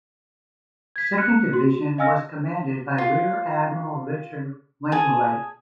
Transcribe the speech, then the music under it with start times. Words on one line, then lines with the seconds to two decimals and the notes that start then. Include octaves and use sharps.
Second Division was commanded by Rear Admiral Richard Wainwright.
0.96 G#6 B6
1.18 F6 F#6 C#7
1.51 F#4 C6
1.98 D#5 F5 G#5 E6 F6 A#6
2.98 F4
4.92 G#4 G#5 A5 D#6